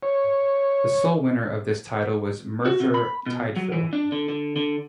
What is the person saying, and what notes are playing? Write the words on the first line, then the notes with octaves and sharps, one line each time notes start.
The sole winner of this title was Merthyr Tydfil.
C#5
F#4
C3
B5
B2
F#3
E3
D4
D3
D3
D3